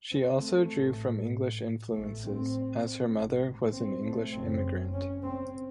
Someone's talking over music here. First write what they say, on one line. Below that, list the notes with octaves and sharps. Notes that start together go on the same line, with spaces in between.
She also drew from English influences, as her mother was an English immigrant.
C4
A3
A1 A2
A1 A2 A3
C4
A1 G#2
C4
A3
F#1 F#2 C#3 C4
C#4
C4